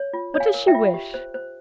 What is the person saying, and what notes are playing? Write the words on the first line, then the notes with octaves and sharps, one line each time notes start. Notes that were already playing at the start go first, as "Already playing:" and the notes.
What does she wish?
Already playing: C#5
F4
C#5
F5 G#5
A#4
E5 G5
F4
G4
C5
C5